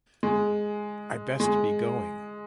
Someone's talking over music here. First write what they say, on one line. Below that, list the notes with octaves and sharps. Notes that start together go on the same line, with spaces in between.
I best be going.
G#3
G#3